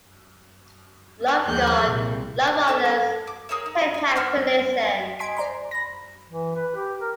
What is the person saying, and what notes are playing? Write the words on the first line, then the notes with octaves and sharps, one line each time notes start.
Love God, Love Others, Take Time to Listen.
D#2 F3 G#3 A#3 F#6 G6
C2 A#2
A3 A4 E5 A5
D6
G#4 A#4 C#5 E5
D#4
G#5 B5
C5 E5 F#5 F6
B6
D#5 G#5 C6 B6 D7
C5 D5 A#5 C6
B5 A#6
E3
B4
G4
A#4